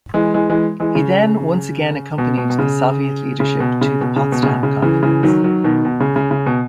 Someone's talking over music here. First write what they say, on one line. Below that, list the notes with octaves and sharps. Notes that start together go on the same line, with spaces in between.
He then once again accompanied the Soviet leadership to the Potsdam Conference.
E3 G#3
E3 G#3
E3 G#3
E3 G#3
C#3
B2
B2
B2
C#3
C#3
B2
C#3
B2
C#3
B2
C#3
B2
C#3
C#3 E3
C#3 E3
D#3 F#3
D#3 F#3
B2 D#3
B2
C#3
C#3
C#3
B2